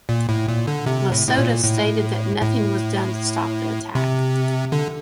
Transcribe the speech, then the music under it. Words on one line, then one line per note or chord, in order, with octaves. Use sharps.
Lasota stated that "nothing was done to stop the attack".
A#2
A2
A#2
D3
C3
A2
A2
A#2
A2
A2
C3
D3